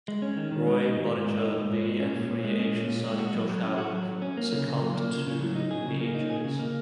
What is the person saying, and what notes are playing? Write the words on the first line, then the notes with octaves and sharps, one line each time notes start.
Roy, Budinger, Lee and free agent signing Josh Howard succumbed to knee injuries.
G#3
C#4
D#3
D#3
G#3
D#4
G#2
G#2
G#3
D#4
G#2
G#2
G#3
C#4
A#2
A#2
G#3
C#4
A#2
A#2
G#3
F#4
F#3
F#3
C#4
F#4
F#3
F#3
C#4
A#3
C#3
C#3
F#3
A#3
C#3
C#3
F#3
D#4
G#4
C#3
A#3
D#4
G#4
C#3
A#3